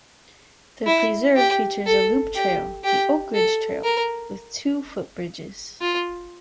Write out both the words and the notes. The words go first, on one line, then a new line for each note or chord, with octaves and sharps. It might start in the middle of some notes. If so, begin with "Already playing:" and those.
The preserve features a loop trail, the Oak Ridge Trail, with two footbridges.
E4
G4
A4
G4
G4
A4
A#4
F4